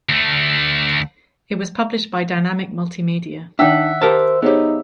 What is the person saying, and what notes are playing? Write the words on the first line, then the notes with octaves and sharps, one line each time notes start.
It was published by Dinamic Multimedia.
D2 A3
D#3 D4 D#4 E5 F#5 G5
G4 A#4 C5 A5
B3 D#4 G4 G#4 C5 C#5